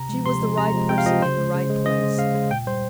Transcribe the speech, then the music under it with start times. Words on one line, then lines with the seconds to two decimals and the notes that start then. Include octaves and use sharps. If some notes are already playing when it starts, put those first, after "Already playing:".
She was the right person in the right place.
Already playing: C3 A#5
0.09 F3 G#3
0.26 C3 C6
0.41 F3 G#3
0.57 C3 A#5
0.74 F3 G#3
0.89 C3 G5
0.98 F5
1.06 F3 D#5
1.09 G#3
1.22 C#3 C5
1.38 G#3
1.55 C#3
1.70 G#3
1.86 C#3 D#5
2.02 G#3
2.18 C#3 F5
2.34 G#3
2.51 A#2 G5
2.67 G3 C5